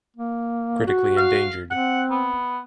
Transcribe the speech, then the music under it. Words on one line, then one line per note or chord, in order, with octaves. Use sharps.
Critically endangered.
A#3
F#4
F5
C4 F#5
B3